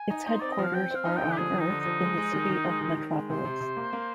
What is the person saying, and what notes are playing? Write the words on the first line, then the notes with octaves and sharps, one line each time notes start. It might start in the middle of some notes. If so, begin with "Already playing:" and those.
Its headquarters are on Earth in the city of Metropolis.
Already playing: G#5
D#4
D#4 C5
C4 D5
D#5
F3 F5
C4 G5
C4 F5
D#4
G5
D3
G4
F3 G#4
F3 D#4
D3
D#4
F3
G#3
G#3
D#3
D#3
G#3
D#3
D#3
G#3
C3 C5
C3
C3
A#3
A#3